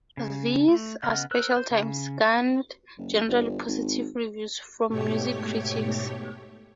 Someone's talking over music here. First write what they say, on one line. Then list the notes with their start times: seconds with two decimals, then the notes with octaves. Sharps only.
"These Are Special Times" garnered generally positive reviews from music critics.
0.17 C#3
0.68 A3
1.03 C#3 B3 D#5 F#5 F6
1.31 A#4 C5 E6 F#6
1.56 C5
1.71 C#3
2.98 F#1
3.28 G1
3.68 G#1
4.89 G#2 B2 A3 G4 C#5